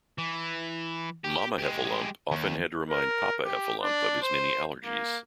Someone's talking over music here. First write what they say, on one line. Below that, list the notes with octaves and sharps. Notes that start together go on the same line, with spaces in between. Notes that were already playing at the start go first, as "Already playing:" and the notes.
Mama Heffalump often had to remind Papa Heffalump of his many allergies.
E3
G4
G#3 G4
D#2
A#4
G4
D4
C5
A#3